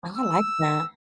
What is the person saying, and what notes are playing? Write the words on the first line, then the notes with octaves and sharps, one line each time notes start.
I like that.
E6